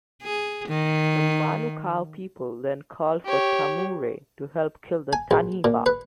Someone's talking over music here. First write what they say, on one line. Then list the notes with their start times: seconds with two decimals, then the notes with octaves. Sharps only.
The Manukau people then called for Tamure to help kill the taniwha.
0.23 G#4
0.68 D#3
3.25 G4 C#5
5.13 G#5
5.31 A#1
5.64 A#2
5.86 B4